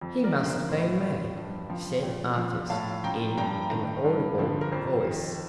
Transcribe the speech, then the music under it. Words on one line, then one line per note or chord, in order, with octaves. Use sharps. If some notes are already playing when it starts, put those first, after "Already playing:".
"He must have been mad," said Artis, in an audible voice.
F2
A#4 D5
D3 F3
C5
A2 C5
F3
G2
F3
A#2
F3
A2 F5 A5
F3 G5 A#5
G2 G5 A#5
D#3
G2
D3 F3
A#4
F2 C5
D#3